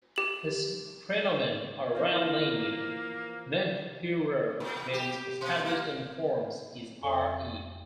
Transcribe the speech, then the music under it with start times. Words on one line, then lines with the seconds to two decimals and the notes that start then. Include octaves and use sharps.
His prenomen or royal name, Menkheperure, means Established in forms is Re.
0.16 G4 F#7
1.95 E3 F3 A#3 C4
4.60 A#2
4.93 G4
5.41 B2
5.65 A#3
7.02 F2 A4 D5 D#6